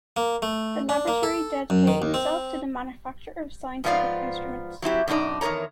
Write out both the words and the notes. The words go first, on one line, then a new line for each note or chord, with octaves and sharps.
The Laboratory dedicated itself to the manufacture of scientific instruments.
A#3
A3
D4
A#3
A4
F#2
D#3
D#2
C4
G#2 F3 B3 F4 D5 F5
F#3 C4 E4 G4
F#2 B2 D4 D#4 D5
E2 D#3 A#4 C#5 A#5